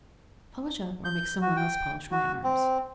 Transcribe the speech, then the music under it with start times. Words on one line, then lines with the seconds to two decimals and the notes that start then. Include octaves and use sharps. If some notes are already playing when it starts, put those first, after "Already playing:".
Polish up or make some one else polish my arms.
1.05 G6
1.41 F#4
1.56 G5
2.11 F#4
2.44 C4